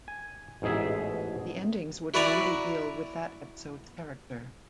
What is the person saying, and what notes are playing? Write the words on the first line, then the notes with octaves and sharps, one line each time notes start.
The endings would normally deal with that episode's character.
G#5
A1 G#2 B2 G#4 E5
E4 F#4 B4 D5 G#5 A#5